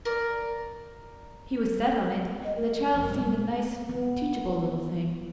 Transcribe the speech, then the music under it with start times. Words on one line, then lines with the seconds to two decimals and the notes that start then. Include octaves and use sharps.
He was set on it; and the child seemed a nice, teachable little thing.
0.05 A#4 D5
2.44 D#5
2.56 A#4
2.94 F#1 F2
3.09 A#2 G3 G#3
3.89 B3